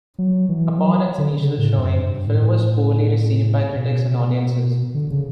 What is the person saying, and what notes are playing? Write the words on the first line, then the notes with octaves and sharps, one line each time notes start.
Upon its initial showing, the film was poorly received by critics and audiences.
F#3
E3
F#3
D3
C#3
A2
F#2
G2
A2
B2
D3
C#3